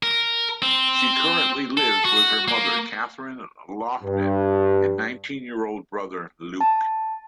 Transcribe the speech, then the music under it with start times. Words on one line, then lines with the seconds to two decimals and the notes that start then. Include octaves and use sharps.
She currently lives with her mother Kathryn Loughnan and nineteen-year-old brother Luke.
0.03 A#4
0.62 C4
1.77 A4
2.04 F#4
2.48 A#3
4.03 G2
6.61 A5